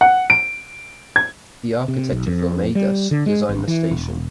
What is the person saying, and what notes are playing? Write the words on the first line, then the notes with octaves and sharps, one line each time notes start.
The architecture firm Aedas designed the station.
F#5
D7
G#6
C3
B1
F2
G3
D3
G#3
G#1
E3
E1